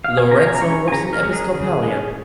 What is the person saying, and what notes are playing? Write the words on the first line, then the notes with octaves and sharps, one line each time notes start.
Lorenzo was an Episcopalian.
F5
G#5
C#3 A#5
F5
G#5
A#5
G#3 C#4 C#6
G#5
C#3 A#5
A#4
G#3 C#4
G#4
C#3 G#4
G#3 C#4